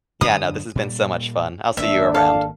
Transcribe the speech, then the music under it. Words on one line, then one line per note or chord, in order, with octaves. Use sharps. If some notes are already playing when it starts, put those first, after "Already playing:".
Yeah, no, this has been so much fun, I'll see you around.
F#2 D3 D4 D#6
A#2 G3
G#1 A#3 D4 E5
A4 F5